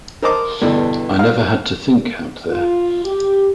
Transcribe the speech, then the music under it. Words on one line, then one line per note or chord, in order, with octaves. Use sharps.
I never had to think out there.
A#4 C5 D#5 A5 D6
E2 G2 B2 D3 E3
F5
F4
G4